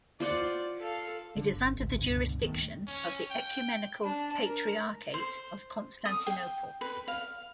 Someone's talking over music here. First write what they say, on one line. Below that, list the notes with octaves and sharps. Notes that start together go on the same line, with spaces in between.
It is under the jurisdiction of the Ecumenical Patriarchate of Constantinople.
F4 C5 D5 F#5
A4 F5
D3
G1
A1 D2
C#2 G2 B2 D3
D#2 D#3 A3 B3
C#4
G5
D4
A#4
C5
D#6
G5
B4
F5